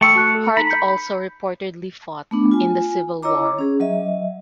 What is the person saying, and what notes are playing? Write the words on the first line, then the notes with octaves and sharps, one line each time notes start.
Hart also reportedly fought in the Civil War.
A3 G5 C#6 E6
F#4 A5 F#6
A4
D#4 A#5 B5
G6 C#7
A3 B3 D4
F4 G#5
E4 C#5 D#5 A#5 D6
C#4 G#4
F#3 D#5 E5